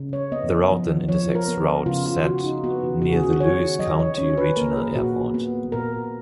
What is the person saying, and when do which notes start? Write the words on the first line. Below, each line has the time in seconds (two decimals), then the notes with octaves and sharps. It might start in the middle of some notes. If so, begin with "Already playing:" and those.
The route then intersects Route Z, near the Lewis County Regional Airport.
Already playing: C#3
0.13 C#5
0.32 B3 D#5
0.71 F3
1.08 F3 C#5
1.35 A#4
1.48 B3
1.86 C#3 F4
2.06 F4
2.24 C#3 F#4
2.44 D#4
2.64 B3 F#4
3.02 C#3 F#4
3.12 G#4
3.23 F#4
3.40 D#3 C#5
3.79 F#3 D#5
3.99 C#5
4.18 C#4 C#5
4.37 B4
4.57 A#3 A#4
4.77 G#4
4.96 A#2 F#4
5.34 B3
5.72 A#2 A#4